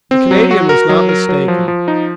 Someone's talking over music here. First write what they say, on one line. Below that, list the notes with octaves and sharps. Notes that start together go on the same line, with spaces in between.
The Canadian was not mistaken.
C4
F#3
F#4
A#4
F#3
A#4
F#3
F3
F3
D#4